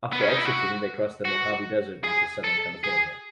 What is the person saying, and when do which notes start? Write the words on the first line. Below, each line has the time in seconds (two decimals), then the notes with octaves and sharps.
After exiting they crossed the Mojave Desert into Southern California.
0.13 B3
0.21 C#4
0.29 D#4
0.37 E4
0.45 F#4
1.25 F#4
2.04 G#4
2.44 A4
2.84 G#4